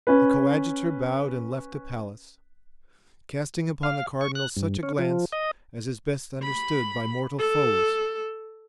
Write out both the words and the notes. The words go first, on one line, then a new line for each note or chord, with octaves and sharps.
The coadjutor bowed and left the palace, casting upon the cardinal such a glance as is best understood by mortal foes.
C#4 B4
F5
C#6
F#6
G2
C#4
F3
D#5
B5
A4